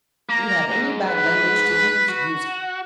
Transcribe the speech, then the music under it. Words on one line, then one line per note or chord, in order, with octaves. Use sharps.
'If you have any bad language to use, use it.
A#3 A#5
G#2
B4
F#4